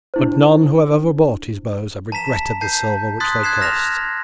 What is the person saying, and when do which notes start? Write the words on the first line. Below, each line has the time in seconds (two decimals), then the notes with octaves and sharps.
But none who have ever bought his bows have regretted the silver which they cost.
0.14 D4 E4 C5
2.12 A5 A#5 B6 E7
2.61 A5 G6 C7
3.20 C6 D#6 F#6 G#6 A6 B6
3.43 F#6 G#6 C7 E7
3.61 F6 A#6 E7 F7